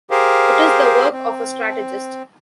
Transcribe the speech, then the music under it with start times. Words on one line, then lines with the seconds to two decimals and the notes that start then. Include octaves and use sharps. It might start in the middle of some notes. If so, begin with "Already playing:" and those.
It is the work of a strategist.
0.11 G4 G#4 A#4 C5 F5
1.11 C4